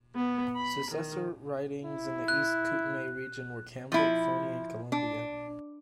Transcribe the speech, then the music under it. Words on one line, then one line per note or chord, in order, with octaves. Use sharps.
Successor ridings in the East Kootenay region were Cranbrook, Fernie, and Columbia.
B3
B5
D#3
E4
F#6
F3 E4
D4